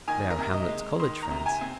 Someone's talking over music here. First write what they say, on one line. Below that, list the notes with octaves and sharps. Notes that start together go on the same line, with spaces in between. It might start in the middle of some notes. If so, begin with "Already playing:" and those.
They are Hamlet's college friends.
D#3 G#5
A#4
C3
D#5
G#3
D#3 C6
A#5
C3
G#5
C4